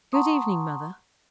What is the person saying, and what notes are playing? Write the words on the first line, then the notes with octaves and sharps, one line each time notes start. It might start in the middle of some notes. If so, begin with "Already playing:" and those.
'Good evening, Mother.'
F#5 A5 A#5 C6 C#6 D#6